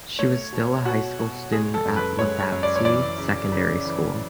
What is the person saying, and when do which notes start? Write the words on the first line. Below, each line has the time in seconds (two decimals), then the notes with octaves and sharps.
She was still a high school student at Lobatse Secondary School.
0.19 A3 C#5
0.53 B2
0.85 B2 F#4
1.19 B2
1.52 G#3 G#4
1.74 A4
1.85 F#2
1.96 B4
2.19 G#3 C#5
2.40 C#5
2.52 F#2
2.63 D5
2.76 C#5
2.85 E3 D5
3.18 C#3
3.52 C#3
3.85 E3